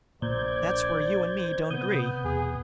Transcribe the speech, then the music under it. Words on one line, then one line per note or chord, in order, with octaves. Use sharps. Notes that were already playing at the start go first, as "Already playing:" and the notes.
That's where you and me don't agree!
A#1 A#2 C5 D5 G6 G#6
C3 B3 D#6 G6
E2 B2 G#4